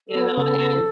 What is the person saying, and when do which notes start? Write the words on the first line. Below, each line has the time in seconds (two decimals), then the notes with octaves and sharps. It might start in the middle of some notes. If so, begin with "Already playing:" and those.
You know, as
0.08 A4
0.15 B3
0.37 C#3 A4
0.59 B3